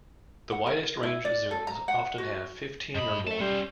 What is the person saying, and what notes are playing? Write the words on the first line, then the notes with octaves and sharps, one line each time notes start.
The widest-range zooms often have fifteen or more.
F#5
A#4
E4
D5
A4
A#5
F#5
F#4
G2 D#5 B5
A3 E5 A5
G3 C#4 C5